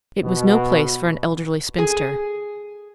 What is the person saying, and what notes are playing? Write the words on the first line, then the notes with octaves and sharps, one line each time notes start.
It was no place for an elderly spinster.
B2
G#4